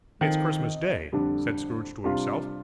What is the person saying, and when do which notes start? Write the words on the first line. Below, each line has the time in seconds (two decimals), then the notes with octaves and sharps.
'It's Christmas Day!' said Scrooge to himself.
0.21 D#3 F3 C4 D#4 A4
1.12 F2 D3 G3 D4
2.04 C3 G3 D4 F4